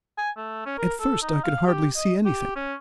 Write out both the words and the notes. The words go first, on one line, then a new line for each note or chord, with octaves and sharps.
At first I could hardly see anything.
G#5
A3
C#4
A#4
A4
D#4
F5
G4
D#5
G4
C#4